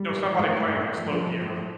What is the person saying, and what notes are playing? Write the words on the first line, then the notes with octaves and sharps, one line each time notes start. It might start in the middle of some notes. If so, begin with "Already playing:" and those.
know, somebody playing, like, slow piano.
Already playing: G3
A2
E3
A2 A3
A2
A2
A2
F3
F3
F3
A2
F3